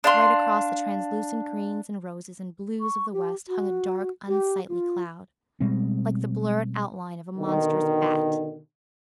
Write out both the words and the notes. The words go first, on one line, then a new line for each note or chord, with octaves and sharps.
Right across the translucent greens and roses and blues of the west hung a dark, unsightly cloud, like the blurred outline of a monstrous bat.
D4 F5 C6
C#6
G4
F#4
G4
F4
B2 G3 G#3 C4
B2 D3 D#3